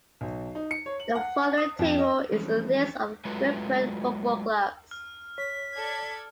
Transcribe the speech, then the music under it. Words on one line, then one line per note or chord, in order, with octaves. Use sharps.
The following table is a list of Cypriot football clubs.
B1
D#4
C#7
C#5
F#7
F#5
D#6
F2
D#5
E3 F3 G3 G#3 C4 C#4
F#3 G#3 A3 F4 B4
F6
C#5 B6
A4 D5 G#6